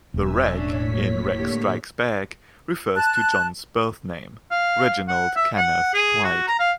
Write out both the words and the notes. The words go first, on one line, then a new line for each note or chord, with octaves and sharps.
The "Reg" in "Reg Strikes Back" refers to John's birth name, Reginald Kenneth Dwight.
E1 F#2 E5 G#5 E6
A2 C#4 D4 C#5 B6
F#3 A#3
D3 A#3 G4
A5 F#6
F5
F#5
E5
F#5
G#4
F#4
A#5
F5